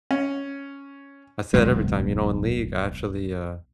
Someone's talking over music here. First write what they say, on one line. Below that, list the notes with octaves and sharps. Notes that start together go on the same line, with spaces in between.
I say it every time, you know, in League, I actually, uh,
C#4
D1 B1 F2 G#3